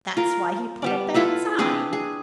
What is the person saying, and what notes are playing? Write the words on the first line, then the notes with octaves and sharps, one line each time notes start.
That's why he put up that sign.
F4 A#4
G3 B3 D5
E4 F4 A4 B4
C4 D4 G#4 B4
G#4